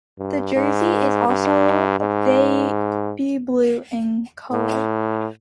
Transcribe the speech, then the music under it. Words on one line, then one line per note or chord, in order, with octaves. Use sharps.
The jersey is also baby blue in colour.
G2
G#2
G2
G#2
A2